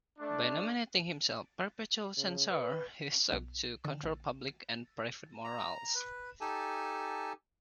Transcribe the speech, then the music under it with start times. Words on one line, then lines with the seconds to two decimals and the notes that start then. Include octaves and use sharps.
By nominating himself perpetual censor, he sought to control public and private morals.
0.19 A3 D4
2.18 C#3
2.50 B4
3.32 B1
3.85 D3
4.03 A#1
5.44 A#5
5.95 B4
6.41 D#4 G4 A4 G#5 A5